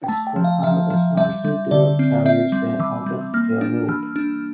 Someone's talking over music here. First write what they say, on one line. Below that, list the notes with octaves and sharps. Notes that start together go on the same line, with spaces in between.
Its proflie is largely dual carriageway urban clear route.
G5
A3 A5
G5
F3
F5
F3 E5
F3
G3 E5
G3
D3 D5
C4
C4 E5
G3
E3 D6
G3
A#3 F6
D4
E3 F6
D4